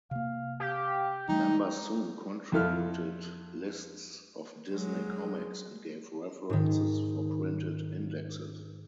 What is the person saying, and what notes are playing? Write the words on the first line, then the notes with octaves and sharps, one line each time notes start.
Members soon contributed lists of Disney comics and gave references for printed indexes.
C3 A#3 F5
G4 F5
E3 G3 A3 D#4 G5
F2 E4 A4 F6
F#3 G#3
G#2 D#3